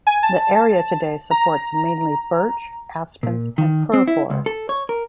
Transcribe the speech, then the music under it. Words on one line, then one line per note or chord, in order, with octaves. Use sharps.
The area today supports mainly birch, aspen, and fir forests.
G#5
A5
A#5
A#2
D#3
C4
E4
C#2
A4
C#5
A#4